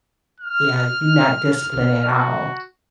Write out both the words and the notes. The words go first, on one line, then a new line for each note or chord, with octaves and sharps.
yeah, you not disciplined at all.
F6
F#4